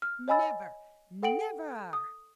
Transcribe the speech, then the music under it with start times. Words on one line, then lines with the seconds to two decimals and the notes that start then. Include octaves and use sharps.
Never, NEVER!'
0.02 F6
0.28 C#5 D#5 G#5 B5 E6 A6
1.23 A4 F#5 G5 D7 F#7
1.93 D#6